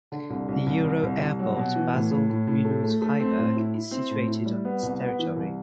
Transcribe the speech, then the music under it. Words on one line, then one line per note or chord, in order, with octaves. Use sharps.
The EuroAirport Basel-Mulhouse-Freiburg is situated on its territory.
D3
C2
C2
C2
C2
C2
C2
F#3
B2
E3
A2
A2
A2
A2
A3
A3
A3
C4
A2
E4
E4
C4
A2
E4
G3
B3
C2
B3
E3
C2